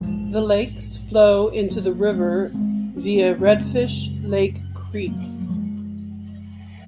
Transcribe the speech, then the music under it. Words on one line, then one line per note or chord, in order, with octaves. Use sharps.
The lakes flow into the river via Redfish Lake Creek.
A#1 G#2 F3 G#3
F#3 A#3
G#3 C4
G#3 C4
C#4
A#3 C#4
F#1 F#2 C#3 G#3 C4
G#3
F#3 A#3
F#3
F3 G#3